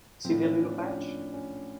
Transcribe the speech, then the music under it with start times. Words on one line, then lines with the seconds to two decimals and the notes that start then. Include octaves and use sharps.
See that little patch?
0.25 A2 F3 C4
0.43 C#4
0.61 D4
0.80 C#4
0.98 D4
1.33 C#4